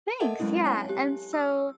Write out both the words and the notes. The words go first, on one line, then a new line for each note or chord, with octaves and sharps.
thanks, yeah. And so
A4 A#4 D#5 E5 F#5 A5
F#3 G#3 C4 C#4 E4
C#5 G#5 A5
G4
E6